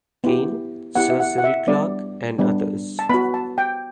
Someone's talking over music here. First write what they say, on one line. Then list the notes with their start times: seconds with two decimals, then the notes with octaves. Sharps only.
Cain, Sir Cyril Clarke and others.
0.24 B3 E4 G4
0.95 B3 E4 G4 F#5
1.10 E5
1.20 F#5
1.38 F#5
1.44 E5
1.67 G3 B3 D4 D5
2.38 G3 B3 D4
2.99 A5
3.09 B3 F#4 B5
3.34 A5
3.58 G5